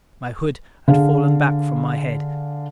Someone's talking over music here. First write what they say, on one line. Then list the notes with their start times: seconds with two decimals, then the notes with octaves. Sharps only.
My hood had fallen back from my head.
0.88 D3 G#4 F5